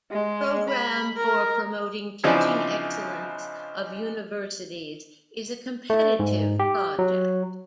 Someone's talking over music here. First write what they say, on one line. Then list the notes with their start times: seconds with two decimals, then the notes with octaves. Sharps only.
Program for Promoting Teaching Excellence of Universities is a competitive project.
0.11 G#3
0.69 B5
1.17 A#4
2.24 C#3 E3 F3 C4 D4 D#4
5.90 A3
6.19 G#2
6.60 G4
6.99 F#3